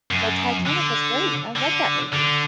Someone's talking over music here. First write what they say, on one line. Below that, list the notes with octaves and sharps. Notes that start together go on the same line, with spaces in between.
The Titanic was great, I love that movie.
F#2
D3
D3
D3